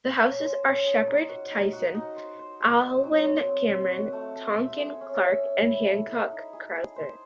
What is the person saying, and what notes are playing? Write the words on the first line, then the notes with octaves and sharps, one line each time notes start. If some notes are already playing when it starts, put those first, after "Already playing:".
The houses are Sheppard Tyson, Aylwin Cameron, Tonkin Clarke and Hancock Crowther.
C#4
C5
C#4
G#4
D#4
F#4
D#4
F#4
D#4
C5
C5
G#4
C4
F#3
F#3
C4
C4
F#4
A3
A3
E5
G#4
C#4
E5
C#4
E4
A4
E4
D#4
G#4
G#4
C5